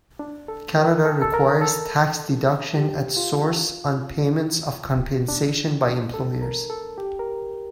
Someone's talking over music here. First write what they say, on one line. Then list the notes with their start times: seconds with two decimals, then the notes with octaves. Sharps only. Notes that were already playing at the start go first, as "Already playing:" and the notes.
Canada requires tax deduction at source on payments of compensation by employers.
0.19 D4
0.48 A4
0.77 A#4
1.05 A4
1.22 A4
1.34 A#4
1.61 A4
2.74 G4
3.17 F4
5.28 D4
6.14 A4
6.42 A#4
6.70 A4
6.98 G4
7.19 A#4